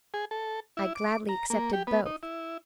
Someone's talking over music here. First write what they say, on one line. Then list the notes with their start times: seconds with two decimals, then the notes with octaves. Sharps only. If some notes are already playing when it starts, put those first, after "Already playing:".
I gladly accepted both.
0.14 G#4
0.31 A4
0.77 E4
0.95 D6
1.29 A#5
1.50 A#3
1.73 G4
1.87 B3
2.06 D#4
2.23 E4